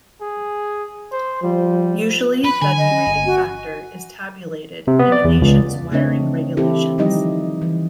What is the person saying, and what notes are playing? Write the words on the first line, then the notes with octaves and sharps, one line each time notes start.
Usually the derating factor is tabulated in a nation's wiring regulations.
G#4
C5
F3 G3
B4 B5
D3 G#5
D#5
C#4
G1
F#4
C3
B3
D5
E2
C#2
C#3 A3 C4 D4 C#5 D#5
E3 C4 E4 G4 A4
D#3 F3 G3 D#4 G4 D#5
E3